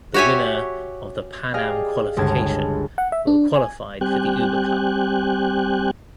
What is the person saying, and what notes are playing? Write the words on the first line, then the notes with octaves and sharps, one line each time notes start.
The winner of the Pan Am qualification will qualified for the Uber Cup.
F#4 G4 C#5 E5 G#5
G4 G#4 D5 D#5 F5
G1 C#2 G#3 A5 G#6
F#5
E5
D4
G#5
G3 C4 G4 G5 G#5 F#6